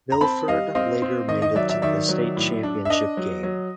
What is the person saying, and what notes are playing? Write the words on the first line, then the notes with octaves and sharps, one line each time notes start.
Milford later made it to the state championship game.
A#5
C4 A5 B5
G3 D#5 F5
C4 D#5 F5
C4
D#3 D#5
D#5
F#3 D5 E5
D5 E5
D#3 D5 E5
F#3
A2
D4
E5
D4 D#5
F#3
F#3